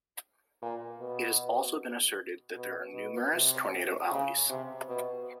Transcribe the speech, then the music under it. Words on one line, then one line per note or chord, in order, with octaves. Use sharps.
It has also been asserted that there are numerous Tornado Alleys.
A#2
B2
B2
B2
C3
C#3
C3
B2